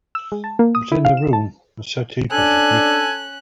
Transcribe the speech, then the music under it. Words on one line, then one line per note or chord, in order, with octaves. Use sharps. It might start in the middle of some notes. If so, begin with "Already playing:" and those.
But in the room the settee puzzled me.
E6
G#3
A5
A#3
D#6
E4
F5
E7
A5
C#4 D4 A4 G#5 F#6